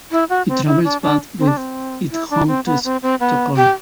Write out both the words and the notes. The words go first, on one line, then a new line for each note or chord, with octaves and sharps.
He travels back with it home to Stockholm.
E4
F#4
C4
E4
D4
D4
C4
D4
C4
E4
D4
C4
B3
C4
C4
B3
G4